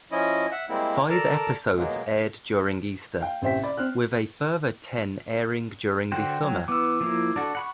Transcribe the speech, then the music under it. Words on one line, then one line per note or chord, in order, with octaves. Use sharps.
Five episodes aired during Easter, with a further ten airing during the summer.
F3 C#4 E4 D#5
E5 F#5
G3 G#3 A#3 C4 E4
A4 A#4 D5 A5 A#5
B2 F#3 G#3 A#3
F5 G5
A1 C3 C5 E5 G5 B6
D5 B5
C4 F6 F#6
D3 F#4 C5 G5
F#3
E3 B3 D6 E6
F3 A#3 E4
D4 F#4 A4
F#5 B5 C#6